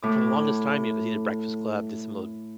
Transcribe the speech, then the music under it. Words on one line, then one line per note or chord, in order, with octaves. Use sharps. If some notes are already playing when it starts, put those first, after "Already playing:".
for the longest time, you because he did Breakfast Club, did some of
A2 D6